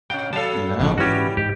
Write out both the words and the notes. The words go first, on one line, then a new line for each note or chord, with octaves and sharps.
you know?
A#2 C#4 G5
F#3 A4 F5 A5
A#1 A#2 F3 G#3
G#2 E3 G3 C#4 F#4 G4
G#2 G4